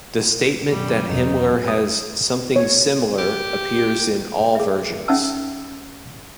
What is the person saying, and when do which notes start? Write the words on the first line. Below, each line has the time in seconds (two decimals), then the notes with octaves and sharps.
The statement that Himmler has "something sim'lar" appears in all versions.
0.72 F#2 B2 D#3 F#3 G3
1.08 E2 D#4
1.68 D#6
2.56 C#5
3.18 G4
4.55 G#4 E5
5.08 C#4 D#4 E5 F#5 A5 E6